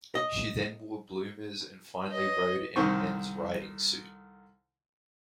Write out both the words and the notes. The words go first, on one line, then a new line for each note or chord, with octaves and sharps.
She then wore bloomers and finally rode in a men's riding suit.
D#5
B4 C#5 D#5
C2 D3 D#3 C4 C5 C#6